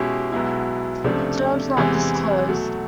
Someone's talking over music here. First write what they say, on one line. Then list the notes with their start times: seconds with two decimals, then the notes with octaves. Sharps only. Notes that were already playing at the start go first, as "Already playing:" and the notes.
Terms not disclosed.
Already playing: B2 G#3 C#4 E4 G4
0.32 B1 B2 G#3 B3 E4
1.04 C#2 C3 F3 A3 D4
1.77 E2 C3 E3 G#3
2.48 B2 F#3 A3